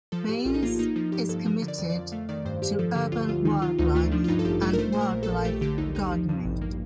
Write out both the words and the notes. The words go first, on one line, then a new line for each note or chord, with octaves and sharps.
Baines is committed to urban wildlife and wildlife gardening.
F3 A4
A2 G4
A#1 F4
D#4
A#3 F4
A#3 D#4
F3 D#4
G2 G4
G2 A4
F3 A#4
D3
D5
F2
D5
F2
A3 F5
D#3 D5
G2 C5
G2 G4
F3 A4
D3 G4
D2 F4
D2 F4
D#3 D#4
C3 F4
D2 D#4
A3 F4
F3 D4
F4
G2 D#4
A4
A1 G4
A3 A4
A#4
A3 C5
A#2 C5
A#4
A#1
A4
A#1
A3 G4
D3 G4
D#2 D#4
D#2 D#4
F3
G2
A1
A#3